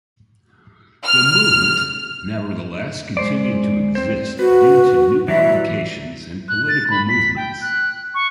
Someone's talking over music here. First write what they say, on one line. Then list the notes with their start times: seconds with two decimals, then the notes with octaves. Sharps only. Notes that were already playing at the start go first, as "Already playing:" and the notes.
The movement nevertheless continued to exist due to new publications and political movements.
1.06 F6
3.17 G#3 C5 D5
3.95 C4 C5
4.39 F#4 B4
5.28 E3 F#3 G3 E5
6.49 F#6
6.68 A6
6.90 B5
7.09 B6
7.36 G5
7.62 F#6
8.15 C#6